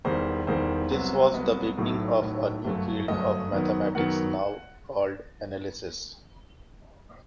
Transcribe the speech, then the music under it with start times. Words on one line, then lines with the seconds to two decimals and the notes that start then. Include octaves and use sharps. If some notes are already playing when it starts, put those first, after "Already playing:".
This was the beginning of a new field of mathematics now called analysis.
0.05 E1 E2 D#3 G3 C5
0.47 E1 E2 D#3 G3 C5
0.91 C2 C3 F#3 B3
1.34 C2 C3 F#3 B3 D#5
1.77 B1 A2 F#3 A3
2.21 B1 A2 F#3 A3
2.64 G1 F#2 F#3 A3
3.08 G1 F#2 F#3 A3 D#5
3.52 F#2 D#3 F#3 B3
3.95 F#2 D#3 F#3 B3 F#5